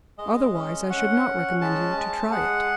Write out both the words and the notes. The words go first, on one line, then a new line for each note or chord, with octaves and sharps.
Otherwise I should not recommend you to try it.
G#3 D#5
C#4
C#4 F#5
C#4
G#3 A5
G#3
G#4 F#5